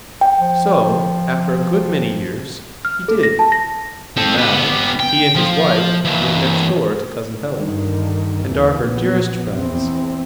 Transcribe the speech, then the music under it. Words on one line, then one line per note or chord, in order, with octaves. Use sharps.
So after a good many years, he did, and now he and his wife live next door to Cousin Helen, and are her dearest friends.
G5
F3
F6
A4
A#6
A5
A#6
C4 A4
B3 G4
G5
F3
E3 A#3
G2 D3 D#3
D#2 E3
A#1 B3
E2 C4